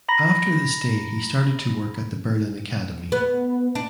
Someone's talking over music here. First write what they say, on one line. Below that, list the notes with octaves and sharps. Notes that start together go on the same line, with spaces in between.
After the stay he started to work at the Berlin Akademie.
A#5 B5 A#6
B3
D4